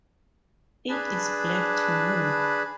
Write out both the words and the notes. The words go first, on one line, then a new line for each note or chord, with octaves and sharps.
It is Black to move.
D4 G#4 B4 A5 B5